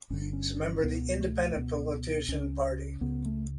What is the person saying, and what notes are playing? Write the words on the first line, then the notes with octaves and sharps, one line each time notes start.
He is member of the Independent politician party.
G1 G2 D3 C#4
D4
C#4
C#2 B2 B3
A3
C#2 B2 B3
C#2 C#3 C#4
C#2 C#3 B3
A3